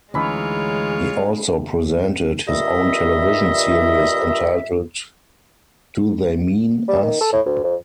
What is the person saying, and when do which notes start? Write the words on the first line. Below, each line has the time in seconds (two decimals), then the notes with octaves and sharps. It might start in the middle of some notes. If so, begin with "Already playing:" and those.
He also presented his own television series entitled Do They Mean Us?
0.14 D2 E3 G#3 C#4 D#4 F4 C#5 B5
2.47 G2 A#2 D#5 E5
6.89 G3
7.03 D#3
7.21 A4
7.33 A2
7.46 D2
7.64 F2